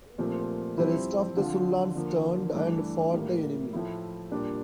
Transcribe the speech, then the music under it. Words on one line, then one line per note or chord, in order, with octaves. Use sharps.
The rest of the Sullans turned and fought the enemy.
A#2 F3 A3 C4 G4
G2 F3 C4 E4 G4
D3 F3 C4 F4
D3 F3 A#3
G2 E3 A3 D4
A2 G3 A#3 F4
A2 F3 A3 E4
A#2 G3 D4 G4